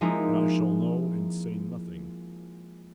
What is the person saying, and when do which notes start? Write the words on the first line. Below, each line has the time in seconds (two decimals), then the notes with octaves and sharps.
And I shall know and say nothing.
0.01 F3 G#3 A#3 C4 D#4 E4